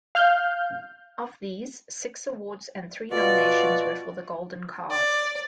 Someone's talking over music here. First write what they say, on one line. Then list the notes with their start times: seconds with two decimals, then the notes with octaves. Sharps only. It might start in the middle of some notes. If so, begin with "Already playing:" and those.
Of these, six awards and three nominations were for the Golden Calves.
0.15 F5 F6 G6
3.11 B2 F4 F#4 D5
4.91 D5